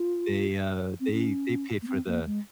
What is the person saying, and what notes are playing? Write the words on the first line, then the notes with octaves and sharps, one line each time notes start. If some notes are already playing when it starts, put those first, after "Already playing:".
they, uh, they they paid for the
Already playing: F4
C4
C#4
A#3
C4
A#3
G#3